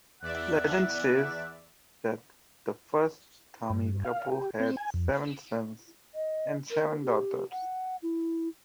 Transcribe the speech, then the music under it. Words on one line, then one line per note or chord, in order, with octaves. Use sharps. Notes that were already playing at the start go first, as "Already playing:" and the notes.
Legend says that the first Thami couple had seven sons and seven daughters.
E2 D5 E5 F#5
G2
F5
G4
C4
G#5
F2
D#5
A#4
G4
F#5
E4